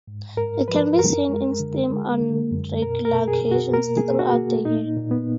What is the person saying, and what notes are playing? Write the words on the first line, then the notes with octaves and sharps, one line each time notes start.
It can be seen in steam on regular occasions throughout the year.
G#2
G#2 A#4
F3 B4
F#2 A#4
G#3
D3
G#3
D3
F#2
B2 A#4
A#4
B2
G#4
B2
F#4
A#3 A#4
G#4
A#3
F#4
A#3
A#2 D#4
A#2
B3